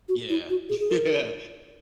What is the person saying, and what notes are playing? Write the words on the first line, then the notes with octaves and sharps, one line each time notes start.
Yeah. Yeah.
F#4
E4
F#4
G#4
G#4
A#4